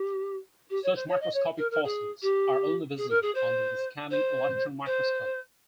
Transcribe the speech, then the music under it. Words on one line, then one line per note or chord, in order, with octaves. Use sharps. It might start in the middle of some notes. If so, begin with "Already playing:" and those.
Such microscopic fossils are only visible under the scanning electron microscope.
Already playing: G4
G4
C#5
C5
C#5
D#5
C#5
A#4
A#4
G#4
G4
G#4
A#4
G#4
C5
C5
C5